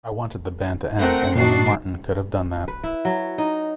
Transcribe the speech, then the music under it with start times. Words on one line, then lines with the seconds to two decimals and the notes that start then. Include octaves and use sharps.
I wanted the band to end and only Martin could have done that.
0.98 A3 C4 A#4 F#5
1.35 A#2 D#3 D4 F#4 C7
2.68 B4
2.84 E4
3.05 F#3
3.38 D#4